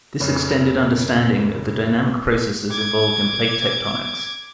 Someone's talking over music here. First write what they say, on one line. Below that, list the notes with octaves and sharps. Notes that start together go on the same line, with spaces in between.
This extended understanding of the dynamic processes involved in plate tectonics.
F1 C#3
D6 G#6